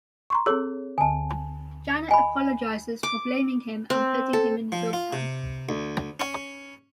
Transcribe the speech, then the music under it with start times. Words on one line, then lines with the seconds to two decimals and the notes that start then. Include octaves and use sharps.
Janet apologizes for blaming him and putting him in the dog pound.
0.30 A#5 C6 C#6
0.46 C4 G#4 A4 C#5 E6
0.98 D2 D3 G#5 A5
2.11 D#5 G#5 B5
3.03 D6
3.90 C4
4.33 A4
4.72 F3
4.93 F4
5.13 C3
5.69 D2
6.20 C#4